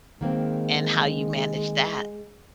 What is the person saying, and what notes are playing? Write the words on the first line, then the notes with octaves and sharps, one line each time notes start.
and how you manage that,
D#3 G#3 A#3 C4